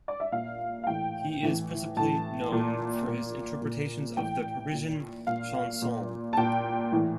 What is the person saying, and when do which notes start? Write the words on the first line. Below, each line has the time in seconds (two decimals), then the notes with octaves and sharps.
He is principally known for his interpretations of the Parisian chansons.
0.08 D5
0.20 E5
0.32 A#2 F5
0.84 F5
0.87 A2 E3 G5
1.43 A2 E3
1.97 A2 E3 A5
2.52 A#2
3.07 A#2
3.62 A#2
4.17 A2 E3 G5
4.72 A#2
5.27 A#2 F5
5.82 A#2
6.33 A5
6.37 A#2 G5
6.92 A2 E3